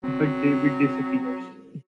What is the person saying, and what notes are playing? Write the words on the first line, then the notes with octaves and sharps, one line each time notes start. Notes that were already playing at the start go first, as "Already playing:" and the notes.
But David disappears.
F#3 C4